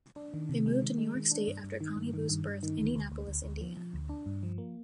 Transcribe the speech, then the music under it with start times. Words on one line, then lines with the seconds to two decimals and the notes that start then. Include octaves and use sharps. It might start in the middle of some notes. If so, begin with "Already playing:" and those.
They moved to New York state after Connie Booth's birth in Indianapolis, Indiana.
0.16 D4
0.34 D#3
0.49 C3
0.66 G#3
0.82 D#3
0.98 G#3
1.15 D#3
1.31 D4
1.47 G2
1.64 G2
1.80 D#3
1.96 G2
2.14 D#3
2.29 G2
2.46 G2
2.63 D#3
2.78 D2
2.95 D2
3.12 D2
3.28 D2
3.44 D2
3.61 F3
3.77 F3
3.94 D2
4.09 D4
4.26 G2
4.43 F3
4.58 A#3